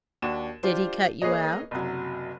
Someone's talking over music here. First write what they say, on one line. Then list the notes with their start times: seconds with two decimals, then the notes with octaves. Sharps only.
'Did he cut you out?'
0.22 D#2 D4 F#4 E7
0.63 D4 F4 G4 C5
1.22 A#3 G#4 B4 C#5 D#5
1.71 F#1 C2 F#3